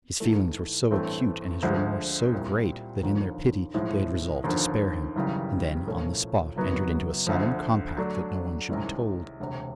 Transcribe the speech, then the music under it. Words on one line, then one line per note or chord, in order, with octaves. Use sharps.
His feelings were so acute and his remorse so great that, in their pity, they had resolved to spare him; and then, on the spot, entered into a solemn compact that no one should be told.
G#2 E3 A3
A1 G2 E3 A3 C4
D2 D3 F3 G#3
A#2 G3 C4 E4
D#2 D3 F3
B1 A2 F3 G#3
D#2 D3 F3
G#1 F#2 C#3 E3 G3
C2 A#2 F3 A3 C#4
F#1 F#2 D#3 F#3 B3
D2 D3 F3
D3 F#3 A3 D4
C2 C3 D#3 G#3 C#4
E1 D2 C3